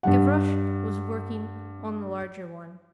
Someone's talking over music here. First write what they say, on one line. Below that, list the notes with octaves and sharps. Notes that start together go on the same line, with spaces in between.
Gavroche was working on the larger one.
G2 G3 F#5